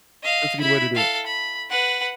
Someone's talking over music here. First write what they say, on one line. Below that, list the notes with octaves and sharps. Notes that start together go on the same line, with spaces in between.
That's a good way to do it.
D#5 F5
E4 B5
A4 F5
B5
B4 F#5